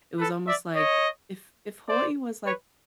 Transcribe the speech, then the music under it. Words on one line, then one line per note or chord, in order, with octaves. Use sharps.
it was almost like if if Hawaii was like,
A4 B4
D5 E5
C#5 D#5
C5 D5
B4 C#5